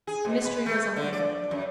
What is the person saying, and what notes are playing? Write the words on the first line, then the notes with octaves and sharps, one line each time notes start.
The mystery was unveiled.
G#4
B2
B4
A3
D3
D5
F#2